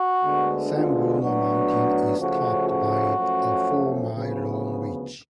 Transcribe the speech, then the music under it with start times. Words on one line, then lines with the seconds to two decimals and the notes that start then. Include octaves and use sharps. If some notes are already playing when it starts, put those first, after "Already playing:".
San Bruno Mountain is topped by a four mile long ridge.
Already playing: F#4
0.24 D2 D3 G#3 B3
0.73 F4
1.21 A2 F#3 B3 D4 F#4
2.19 C#3 F3 A3 C#4 F#4
2.67 F#4
3.16 F#2 F3 A3 C#4
4.13 D2 C#3 F3 B3